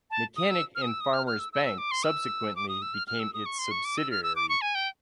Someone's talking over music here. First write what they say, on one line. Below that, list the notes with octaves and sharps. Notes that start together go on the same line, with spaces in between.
Mechanic and Farmers Bank subsequently became its subsidiary.
A5
D#6
E6
F6
D#6
E6
D#6
F6
F6
E6
E6
E6
D6
C6
E6
D6
D#6
E6
F6
F6
E6
D#6
C#6
C6
C#6
D6
E6
F6
E6
D6
C#6
G#5
G5